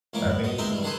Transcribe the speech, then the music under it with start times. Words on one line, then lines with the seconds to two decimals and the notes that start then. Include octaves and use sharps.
I think th
0.13 C#2 C#3 E3 A#3 C#4 D6
0.29 B3
0.44 A#1 B2 D#5
0.58 G#3 C4 D#4 A#4 E5 G5
0.70 G2 E3 G3
0.83 D#3 G#4 A4 B4 C5